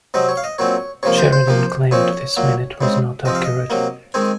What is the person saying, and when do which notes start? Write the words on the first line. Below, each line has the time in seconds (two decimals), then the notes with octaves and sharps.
Sheridan claimed this minute was not accurate.
0.14 C3 F#3 C4 D#5
0.29 C#5
0.37 F5
0.44 D#5
0.58 A#2 F#3 C4 C#5
1.03 C3 F3 A#3 C#5
1.18 C5
1.33 C5
1.47 C3 F3 A#3
1.91 A#2 F3 C4 C#5
2.37 A#2 F#3 A#3
2.81 C#3 G#3 C4
3.25 C3 F3 C4 D#5
3.35 F5
3.44 D#5
3.70 C3 F#3 A#3
4.14 D#3 G#3 C4 G#5